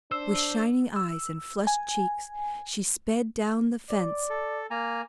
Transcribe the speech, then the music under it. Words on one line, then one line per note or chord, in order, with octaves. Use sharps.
With shining eyes and flushed cheeks, she sped down the fence.
D4 C5 E6
E6
G#5
D5
A4
A#3 G#5 A#5